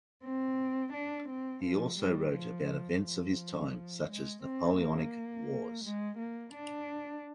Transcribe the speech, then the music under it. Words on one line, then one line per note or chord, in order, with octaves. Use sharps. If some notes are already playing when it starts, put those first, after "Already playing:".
He also wrote about events of his time, such as the Napoleonic wars.
C4
D4
C4
F3
G3
F3
F3
G#3
C4
A#3
G#3
A#3
D4